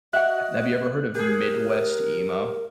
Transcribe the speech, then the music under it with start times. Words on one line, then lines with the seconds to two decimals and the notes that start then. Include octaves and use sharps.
Have you ever heard of Midwest emo?
0.13 F#4 D#5 E5 F#5 F#6
1.15 G4 G#4 A#4